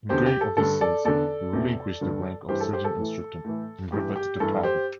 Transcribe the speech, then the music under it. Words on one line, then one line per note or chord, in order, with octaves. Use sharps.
In going overseas he relinquished the rank of Sergeant Instructor and reverted to Private.
E2 D3 G4 C5
G4
A4
G2 D3 A4
A4 D5
E2 D3 A4 D5
E2 C3 E3
G2 D3
G2 E3 G4 C5
A4
G4 C5
A4
A2 E3
A2 E3
G2 E3 G4
G4
G2 E3 A4
G4 C5